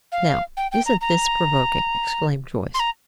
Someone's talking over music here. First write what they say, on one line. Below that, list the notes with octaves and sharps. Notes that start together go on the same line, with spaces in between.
"Now isn't this provoking!" exclaimed Joyce.
F5
G5
G5
A#5
A#5
C6
A#5